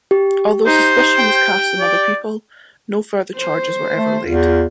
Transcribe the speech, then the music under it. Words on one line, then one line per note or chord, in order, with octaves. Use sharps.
Although suspicion was cast on other people, no further charges were ever laid.
G4
D#4 C5
G5
D5
C5
A3
E2 F4